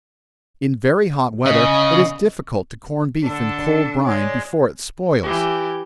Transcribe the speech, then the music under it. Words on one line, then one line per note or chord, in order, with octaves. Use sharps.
In very hot weather, it is difficult to corn beef in cold brine before it spoils.
C#3 D#5
D3 D4 A4
G#3 C#5 D5
E3 G4